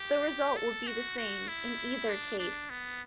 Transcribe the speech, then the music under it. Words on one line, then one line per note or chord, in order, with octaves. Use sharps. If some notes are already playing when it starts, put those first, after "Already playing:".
The result will be the same in either case.
Already playing: G4
A4
F#4
F#4
E4
D4
D4
B3